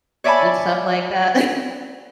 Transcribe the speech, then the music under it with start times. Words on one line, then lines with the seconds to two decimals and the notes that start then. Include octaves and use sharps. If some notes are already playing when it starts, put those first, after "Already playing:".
and stuff like that.
0.24 C#5 D5 E5 G#5 A5 B5